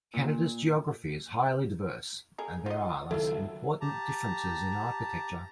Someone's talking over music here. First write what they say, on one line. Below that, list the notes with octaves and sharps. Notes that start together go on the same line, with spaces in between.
Canada's geography is highly diverse, and there are thus important differences in architecture.
A#2
G#4 A#4
F4 D#5
C#2 D#3 F#3 E4 F4 A4
G4 A5 A#5